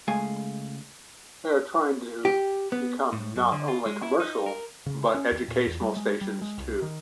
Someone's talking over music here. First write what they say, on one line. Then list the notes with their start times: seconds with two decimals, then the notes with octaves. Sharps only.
They are trying to become not only commercial but educational stations too.
0.08 C#2 G#3 A3 G#4 F5 G#5
2.25 G4
2.72 B3
3.12 A2
3.36 F#2
3.52 D3
3.68 F4
3.86 G#3
4.02 E4
4.20 D#4
4.46 A#4
4.86 C#3
5.14 C#4
5.32 D#2
5.48 A#2
5.67 E2
5.81 G3
5.97 G#3
6.21 G3
6.42 G#3
6.58 C2
6.82 D#3